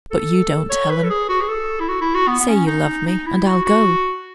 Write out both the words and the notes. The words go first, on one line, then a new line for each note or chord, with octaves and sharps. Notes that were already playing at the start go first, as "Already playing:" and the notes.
'But you don't, Helen--say you love me, and I'll go.'
A4
C#5
B4
A4
G#4
F#4
G#4
A4
E4
F#4
E4
F#4
B3
B3
C#4
D#4
D#4
E4
F#4
F#4